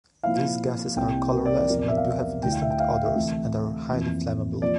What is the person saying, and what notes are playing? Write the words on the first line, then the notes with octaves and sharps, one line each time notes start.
These gases are colourless, but do have distinct odours, and are highly flammable.
A#2 F3 C4 E4 F5
C2 C3 G3 A#3 E4 G5
A#4
D5
D5
E2 C3 F3 A#4
D5
E5
F5
D2 D3 A3 E4 G5
F5
E5
G5
F5
F5
E5
C3 E3 A3
F2 E3 A#3
C3 F3 A#3 F4 D5